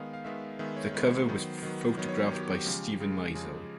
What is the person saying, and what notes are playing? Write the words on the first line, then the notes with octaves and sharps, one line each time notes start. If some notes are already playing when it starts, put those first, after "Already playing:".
The cover was photographed by Steven Meisel.
Already playing: D#3 G#3 B3 F5
F5
D#3 G#3 B3 E5
D#3 G#3 B3 E5
C#5
D#3 G#3 B3 B4
C5
C5
D#3 F#3 B3
D#3 F#3 B3
D#3 F#3 B3 C#5
C#5
D#3 F#3 B3 G4
G4
G4
C#3 F3 G#3
C#3 F3 G#3
C#3 F3 G#3 G#4